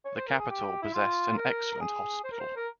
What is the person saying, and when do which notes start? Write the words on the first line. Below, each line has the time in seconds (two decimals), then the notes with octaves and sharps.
The capital possessed an excellent hospital.
0.05 C#5
0.16 C5
0.27 A#4
0.39 G#4
0.50 G4
0.82 E4
0.93 F4
1.37 A#4
1.74 A#4
1.81 G#4
2.24 C5
2.32 A#4
2.40 C5
2.56 A#4